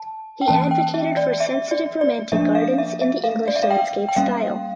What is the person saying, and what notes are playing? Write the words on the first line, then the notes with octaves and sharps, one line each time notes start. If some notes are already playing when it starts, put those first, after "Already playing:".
He advocated for sensitive Romantic gardens in the English landscape style.
Already playing: A5
G5
E3 A#3 C#4 A5
G5
E5
D5
E5
D5
D5
F3 A#3 D4 E5
F5
E5
E5
F5
D5
E5
F5
G5
G5
G3 A#3 C#4 F5